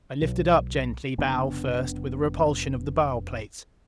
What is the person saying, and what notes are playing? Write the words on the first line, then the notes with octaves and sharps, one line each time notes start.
I lifted up gently, bow first, with a repulsion of the bow plates.
B1
F1 C#3 B3 D4